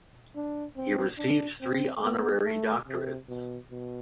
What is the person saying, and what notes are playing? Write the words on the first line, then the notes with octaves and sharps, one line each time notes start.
He received three honorary doctorates.
D4
C4
D4
C4
B3
A3
C3
B2
B2